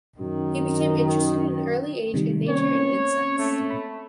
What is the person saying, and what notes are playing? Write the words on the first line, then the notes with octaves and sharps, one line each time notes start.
He became interested at an early age in nature and insects.
F#2 D#3
C3 D#3 G3
A#3 C4 C#4 C#5
A3
B5